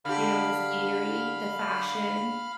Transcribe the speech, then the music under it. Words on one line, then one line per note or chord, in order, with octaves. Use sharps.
you know, the scenery, the fashion.
D3 G4 F5 B5 F6